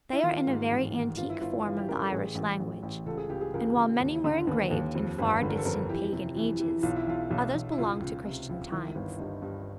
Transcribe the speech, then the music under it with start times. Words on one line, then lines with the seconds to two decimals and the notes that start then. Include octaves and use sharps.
They are in a very antique form of the Irish language; and while many were engraved in far distant pagan ages, others belong to Christian times.
0.13 E4
0.23 D#3 F4
0.47 G#2
0.70 A1
0.94 D#3
1.17 G1 F4
1.30 E4
1.41 G1 F4
1.65 E3 F4
1.77 G4
1.88 C#3 A#4
2.00 A4
2.12 A1 G#4
2.35 A1
2.60 A1
2.83 A1
3.06 C#2 A4
3.17 G#4
3.29 C#2 G4
3.41 G#4
3.54 C#2 A#4
3.76 C#2
4.00 D#2
4.24 D3
4.47 D#2 B4
4.71 D#2
4.95 F2
5.18 G1
5.42 D3 B4
5.50 A#4
5.58 A4
5.65 F2 A#4
5.89 E3 G4
6.13 C3
6.37 E3
6.60 E3
6.83 B1 F4
6.96 E4
7.07 B1 F4
7.31 B1
7.54 B1
7.72 E4
7.78 C#2 F4
8.01 C#2
8.25 C3
8.49 C#2
8.72 D#3 E4
8.95 G1
9.19 G2 D#4
9.42 G2